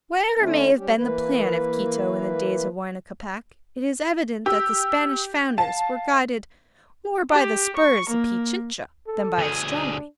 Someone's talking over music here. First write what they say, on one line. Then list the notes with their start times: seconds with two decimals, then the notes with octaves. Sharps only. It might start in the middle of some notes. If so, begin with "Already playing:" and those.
Whatever may have been the plan of Quito in the days of Huayna-Capac, it is evident that the Spanish founders were guided more by the spurs of Pichincha than by astronomy.
0.38 D3 A3 C4 C#4 E4
0.77 G3 C#4 G4
0.97 E3 A#3 B4
4.46 G4 E6
5.58 F5 A5
7.31 G4
7.77 C#6
8.10 A#3
9.07 A4
9.38 D2 G#4
9.71 D4